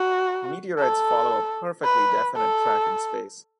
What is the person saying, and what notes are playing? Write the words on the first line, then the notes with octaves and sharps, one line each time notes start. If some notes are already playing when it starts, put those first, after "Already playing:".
Meteorites follow a perfectly definite track in space.
Already playing: F#4
A4
B4
A4